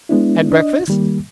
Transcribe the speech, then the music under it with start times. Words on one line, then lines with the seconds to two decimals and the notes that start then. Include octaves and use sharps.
"Had breakfast?"
0.09 G#3 B3 D4 E4
0.51 D4 D#5
0.88 D#3 G3 A#3